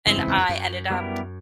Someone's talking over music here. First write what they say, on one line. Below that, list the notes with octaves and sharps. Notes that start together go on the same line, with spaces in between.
and I ended up
G2 C#3 E3 G#3 C4 E4
F2
E2
F2
F#2
G3 B3 E4 G4 A#4